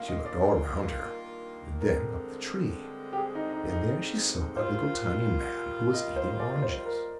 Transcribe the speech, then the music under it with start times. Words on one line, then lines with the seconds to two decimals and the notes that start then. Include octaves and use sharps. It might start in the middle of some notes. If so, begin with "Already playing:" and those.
She looked all round her, and then up the tree, and there she saw a little tiny man, who was eating oranges.
Already playing: G2 D#3 A#3 F4 F5
0.08 D#5
0.26 D5
1.81 G2 D3 G#3 C4 A#4
3.13 G4
3.18 G#4
3.35 D#4
3.53 D#4
3.70 D#4
4.56 G3 A#3 F4 C5
5.93 D#5
6.16 C5
6.40 D5
6.62 C5
6.86 A#4